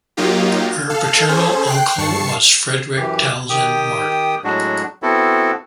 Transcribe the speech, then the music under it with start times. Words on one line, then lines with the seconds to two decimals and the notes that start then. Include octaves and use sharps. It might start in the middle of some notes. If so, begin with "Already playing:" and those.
Her paternal uncle was Frederick Townsend Martin.
0.17 F#3 A#3 D#4 F4 G4
0.89 A4 F5
1.29 C#4 G#4 A4 C5
1.67 G5 F#6 C7
1.98 G2 A5 C#6 C7 C#7
2.97 F#2 E3 G4
3.50 D#3 G4 G5 D#6
4.44 A2 F#3 G#3 D4 F#4
5.03 B3 C4 E4 F#4 A4